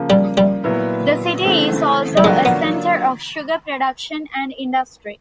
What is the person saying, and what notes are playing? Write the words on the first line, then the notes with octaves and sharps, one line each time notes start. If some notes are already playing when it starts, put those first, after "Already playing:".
The city is also a centre of sugar production and industry.
Already playing: C#3 F3 A#3
G3
G3
A#2 F#3 B3 E4
C#3 E3 A3 C4
G3
D3 F#3 G#3 A#3 D4 F4
B3